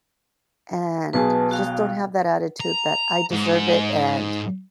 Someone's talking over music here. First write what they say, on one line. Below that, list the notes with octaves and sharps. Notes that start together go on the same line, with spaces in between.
and just don't have that attitude that, "I deserve it, and
B1 B2 G#4 B4 A5
F#4 F5 G5
A#5
G#2